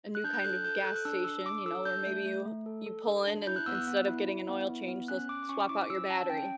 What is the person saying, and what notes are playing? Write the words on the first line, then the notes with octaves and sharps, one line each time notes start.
a new kind of gas station, you know, where maybe you you pull in and instead of getting an oil change, they'll swap out your battery.
F#6
D4 G6
G6
A4 F#6
A4 G6
A4 F#6
F#6
D4 E6
D4 E6
D4 D6
A4 E6
D4 G6
A3
A3
A3
A4
A4
D4
D4
E4 G6
F#6
B3 E6
F#6
B3
E4
E4
B3
E4
B3
C#4 F#6
C#4 D6
D6
C#4 C#6
E4 D6
C#4 E6
C#4 A5
C#4 G5